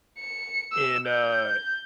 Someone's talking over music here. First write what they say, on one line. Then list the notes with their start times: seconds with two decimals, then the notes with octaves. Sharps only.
in, uh,
0.19 C#7
0.73 E6
1.08 G6